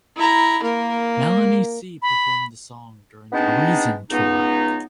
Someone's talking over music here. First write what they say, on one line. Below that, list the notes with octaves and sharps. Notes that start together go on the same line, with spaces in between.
Melanie C performed the song during the Reason Tour.
E4 A#5
A#3 A#4
B5
G#3 B3 C4 D4 D#4
C#2 B3 D#4